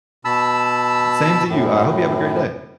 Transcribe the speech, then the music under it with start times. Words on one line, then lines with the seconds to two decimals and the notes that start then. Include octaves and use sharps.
Same to you, I hope you have a great day.
0.25 B2 A5 B5 E6
1.49 F#2 A2